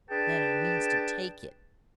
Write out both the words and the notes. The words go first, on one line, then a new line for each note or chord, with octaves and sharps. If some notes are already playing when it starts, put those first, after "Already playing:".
"Then I means to take it."
D4 G#4 B4 G5 A5